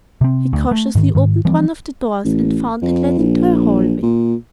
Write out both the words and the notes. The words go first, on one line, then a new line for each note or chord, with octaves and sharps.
He cautiously opened one of the doors and found it led into a hallway.
C3 C4
D2
A3
G#2 D#3
G#2 D#3
E3 F3 G3 C4
A1
F2
A#1
A#2